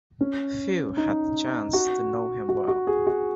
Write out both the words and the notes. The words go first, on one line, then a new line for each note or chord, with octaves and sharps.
Few had the chance to know him well.
C#4
D#4
F#4
F#4
F#4
G#4
F#4